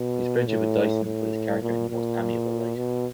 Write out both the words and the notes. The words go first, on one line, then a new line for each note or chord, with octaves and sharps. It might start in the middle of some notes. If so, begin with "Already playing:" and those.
His friendship with Dyson puts his character in the most amiable light.
Already playing: B2
A2
A2
A#2
A#2
B2